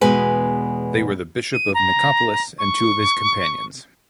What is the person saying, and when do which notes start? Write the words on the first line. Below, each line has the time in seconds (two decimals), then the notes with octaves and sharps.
They were the bishop of Nicopolis and two of his companions.
0.01 E2 B2 G#3 G#4 B4 G#5
1.53 D#7
1.74 A#5
2.59 C#6